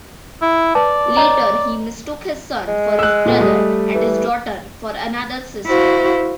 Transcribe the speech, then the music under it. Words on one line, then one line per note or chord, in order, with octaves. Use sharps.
Later he mistook his son for his brother and his daughter for another sister.
E4
B4 D5 A5
C#5 D#5 A#5
G#3
E6 F#6
A#2 A3 B3
G3 A3 D#6
E3
E4 F#4 C5 F5